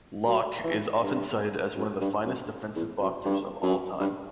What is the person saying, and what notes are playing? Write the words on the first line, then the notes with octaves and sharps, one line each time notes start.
Locche is often cited as one of the finest defensive boxers of all time.
F#3
E3
G2
F#2
G2
F#2
E2
F#2
G2
F#2
G2